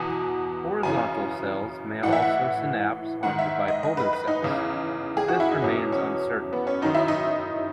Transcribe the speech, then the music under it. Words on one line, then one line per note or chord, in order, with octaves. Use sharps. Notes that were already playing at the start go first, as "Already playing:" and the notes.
Horizontal cells may also synapse onto bipolar cells, but this remains uncertain.
Already playing: E2 B2 G#5
F#2 C#3 E3 G#5
A2 E3 E5 F#5
F#5
G#2 D#3 F#5
E5
D#5
D#5
B4
B4
D#4
E2 C#3 E3
G#4
F#4
E4
D#4
E2 B2 C#4
C#4
B3
C#4
F#2 D#3 D#4
E4
D#4